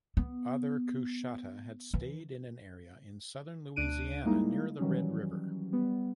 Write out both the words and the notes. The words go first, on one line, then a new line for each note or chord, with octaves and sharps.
Other Coushatta had stayed in an area in southern Louisiana near the Red River.
B3
E3
D2 D4 F#6 D7 D#7
G3 G#3 A#3 D#4 E4
D#3 E3 F#3 G3 C#4
G3 B3